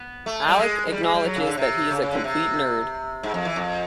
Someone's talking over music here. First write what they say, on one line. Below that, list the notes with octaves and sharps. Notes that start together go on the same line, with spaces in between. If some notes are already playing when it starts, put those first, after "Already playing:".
Alec acknowledges that he is a complete nerd.
Already playing: B3
A3
G3
G#3
G#3
G3
G#3
G3
F#3
C#3
D3
C3
C#3
C#3
D3
C3
G#2
F2
E3
F2